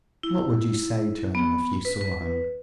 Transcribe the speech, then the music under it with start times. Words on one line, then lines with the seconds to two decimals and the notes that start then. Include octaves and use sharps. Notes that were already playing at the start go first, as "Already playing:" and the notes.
"What would you say to him if you saw him?"
0.23 E4
1.35 B3
1.85 B4
2.01 B4